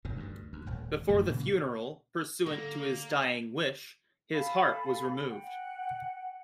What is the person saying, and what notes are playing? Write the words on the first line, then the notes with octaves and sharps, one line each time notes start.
Before the funeral, pursuant to his dying wish, his heart was removed.
E1 G2 D#3
D2 G2
D2
D#1 G#1
F#2 D#3 F#3 A3
D2 A#2 C#3 A#3
D3 A3 A#3 A4
A4 F5 G#5 B5
F#5 G5